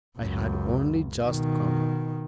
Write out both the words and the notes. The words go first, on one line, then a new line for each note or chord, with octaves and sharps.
"I had only just come."
C#2 F#2
B2 D#3